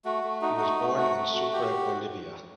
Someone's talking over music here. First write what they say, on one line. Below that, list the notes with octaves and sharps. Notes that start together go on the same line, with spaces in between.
He was born in Sucre, Bolivia.
A3 F#4
A3
D#4 F#4
A3 F#4
A3
F#4
A3
F#4
F#4 G4